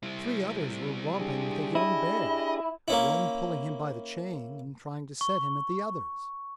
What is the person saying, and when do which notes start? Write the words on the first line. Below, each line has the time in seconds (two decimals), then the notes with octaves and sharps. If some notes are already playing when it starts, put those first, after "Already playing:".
Three others were romping with a young bear, one pulling him by the chain and trying to set him at the others.
0.03 G3 E4
1.20 D4 G4 G#4
1.75 E4 D#5
2.88 A#3 C#4 E4
5.21 C#6